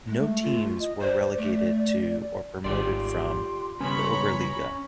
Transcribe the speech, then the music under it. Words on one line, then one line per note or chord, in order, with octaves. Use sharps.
No teams were relegated to or promoted from the Oberliga.
G#3 A3
F4
D#5
C5 D5
A3
G#1 F4 G4 D5 C6
G2 C#3 B3 C#4 C#5 A#5 B5